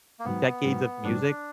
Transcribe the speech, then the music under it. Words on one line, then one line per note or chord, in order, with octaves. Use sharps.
decades of music
A#3
G#2 D#3 F#3 B3
G#2 D#3 F#3
G#2 D#3 F#3 D4